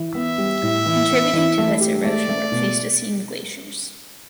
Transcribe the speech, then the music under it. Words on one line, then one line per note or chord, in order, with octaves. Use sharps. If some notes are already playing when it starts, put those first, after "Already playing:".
Contributing to this erosion were Pleistocene glaciers.
Already playing: E3
B3 E5
G3
A2
E3
B3
E3
A3
G4
A3 D5
A3
B2